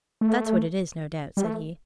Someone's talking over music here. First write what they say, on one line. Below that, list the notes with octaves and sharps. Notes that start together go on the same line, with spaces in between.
"That's what it is, no doubt," said he.
A3
G3
A3